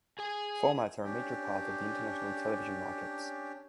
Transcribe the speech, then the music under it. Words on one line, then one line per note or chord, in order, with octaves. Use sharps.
Formats are a major part of the international television market.
G#4 G#5
C#4 D4 G4